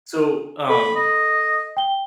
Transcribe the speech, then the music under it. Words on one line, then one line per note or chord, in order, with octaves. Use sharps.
so, um,
A4 B5
D#5
G5 G7